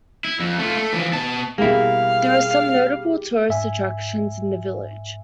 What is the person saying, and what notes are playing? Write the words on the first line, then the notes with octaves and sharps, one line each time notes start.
There are some notable tourist attractions in the village.
E4
F2
A3 F4
A3
E3 F3
B2 A5
B2 G3 A#3 E4 G#4 F5
G#2 E5 G#5